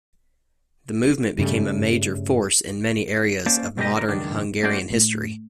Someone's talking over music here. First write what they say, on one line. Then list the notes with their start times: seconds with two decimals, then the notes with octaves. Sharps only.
The movement became a major force in many areas of modern Hungarian history.
1.38 G2 C#3 G3 A3
3.46 A#3 C#4 C5 D5 A5
3.77 B2 G3 G#3 A#3 G4 D#5
3.94 D3 A#4
4.08 C#2 F#2 D#3 D4
4.63 A3 C#4 F#4 C5 D5
4.91 A2